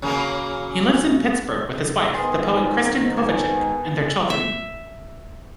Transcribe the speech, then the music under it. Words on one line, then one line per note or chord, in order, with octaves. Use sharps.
He lives in Pittsburgh with his wife, the poet Kristin Kovacic, and their children.
C#3 F#3 A#3
G#2 D#3 B3 G#4 C6 A6
B2 B3 G#5 A5
E5